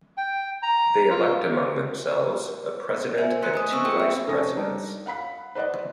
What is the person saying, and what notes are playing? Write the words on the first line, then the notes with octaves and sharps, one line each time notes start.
They elect among themselves, a President and two Vice Presidents.
G5
A#5
F4
C5 E5 G#5
A3 A#4 C6 F#6 C#7
D#5 G#5 D#6
C4 C5 C#6 E6
A#3 F4 G#4 A4 G5
C4 E5
F1 A3 C#4 A4 D#6 A#6
G3 D4 D#4
F5 F#5 B5 B6
B4 C5 D5 D#5 F#5